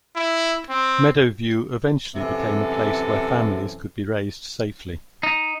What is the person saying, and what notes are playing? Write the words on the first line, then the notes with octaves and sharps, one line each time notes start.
Meadowview eventually became a place where families could be raised safely.
E4
C4
F#2 C3 E3 A4
D#4